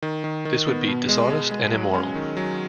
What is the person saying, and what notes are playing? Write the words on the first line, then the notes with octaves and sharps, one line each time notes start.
This would be dishonest and immoral.
D#3
D#3
D#3
B3
B2
G#3
G#3
G#3
F#3
C#4
D#3
F#3